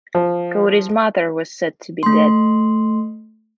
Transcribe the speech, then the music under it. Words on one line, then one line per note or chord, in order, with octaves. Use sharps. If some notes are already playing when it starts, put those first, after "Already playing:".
Kodee's mother was said to be dead.
F3
A3 C6